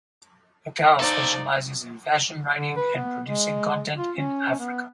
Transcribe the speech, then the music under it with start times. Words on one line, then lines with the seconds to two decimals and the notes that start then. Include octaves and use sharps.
Ekow specializes in fashion writing and producing content in Africa.
1.00 D#4 G4 A4 C5 D5 F5 A#5
2.54 D3
2.76 B4
2.96 B3
3.25 G#3
3.96 F4
4.17 C#4
4.59 B3